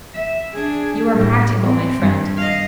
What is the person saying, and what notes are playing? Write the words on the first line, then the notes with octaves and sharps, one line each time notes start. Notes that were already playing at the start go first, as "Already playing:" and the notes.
'You are practical, my friend.
E5
D4 G#4
A2 G3
C4
G2
D#5 F5